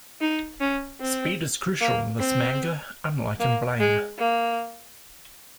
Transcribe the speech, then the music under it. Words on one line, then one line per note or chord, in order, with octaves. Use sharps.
Speed is crucial in this manga, unlike in Blame!
D#4
C#4
C4
A#3
C4
A#3
G#3
A#3